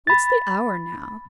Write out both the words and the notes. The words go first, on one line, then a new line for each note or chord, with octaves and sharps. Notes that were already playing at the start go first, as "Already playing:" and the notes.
What's the hour now?
B5 A6